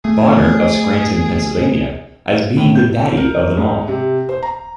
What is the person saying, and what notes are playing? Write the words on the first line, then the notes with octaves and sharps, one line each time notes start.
Bonnert of Scranton, Pennsylvania as being the daddy of them all.
A3 G#4
A2
G6
A#4
G#2
C3
C5
A#5